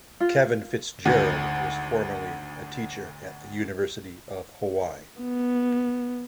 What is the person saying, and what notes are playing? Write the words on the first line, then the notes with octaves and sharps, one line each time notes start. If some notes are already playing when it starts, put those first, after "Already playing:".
Kevin Fitzgerald was formerly a teacher at the University of Hawaii.
F4
G#1 D2
B3